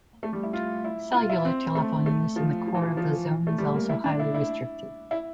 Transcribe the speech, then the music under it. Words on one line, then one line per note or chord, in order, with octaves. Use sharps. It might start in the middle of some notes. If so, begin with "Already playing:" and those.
Cellular telephone use in the core of the zone is also highly restricted.
A3
G3
E4
F4
E4
F4
E4
C4
A3
A3
F3
F3
E3
F3
F3
A3
G3
A#3
E4
D4
E4
E4
E4